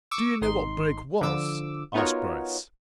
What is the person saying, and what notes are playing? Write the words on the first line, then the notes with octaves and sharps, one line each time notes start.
"Do you know what Brake was?" asked Bryce.
C#6 D6 E6
G#1 D#4 C6
D3 F3 D6 E6
B3 D#4 F4 F#4 A#4 C#5